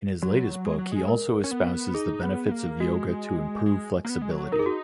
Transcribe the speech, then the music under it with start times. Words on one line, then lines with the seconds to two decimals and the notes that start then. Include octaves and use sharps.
In his latest book he also espouses the benefits of yoga to improve flexibility.
0.23 F#3 F#4
0.65 G#3
0.78 F#3
0.92 G#3
1.08 A#4
1.44 C#4
1.51 B3
1.94 D#4 G#4
2.23 B3
2.51 A#3
2.80 G#3 F#4
3.66 G#3
4.05 A#3
4.09 B3
4.22 G#3
4.31 F#3
4.52 D#4 A#4
4.59 G#4
4.66 F#4